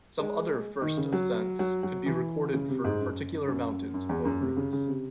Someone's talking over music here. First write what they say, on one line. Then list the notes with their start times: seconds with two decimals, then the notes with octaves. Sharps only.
Some other "first ascents" could be recorded for particular mountains or routes.
0.19 G#3
0.81 D#3
0.97 C#3
1.13 F#3
1.59 F#3
1.83 F#3
2.06 E3
2.53 C#3
2.69 C3
2.84 G#2
3.00 F#2
3.48 F#2
3.94 F#2
4.09 E2
4.25 F#2
4.41 C3
4.57 C#3
4.73 C#3
4.87 C3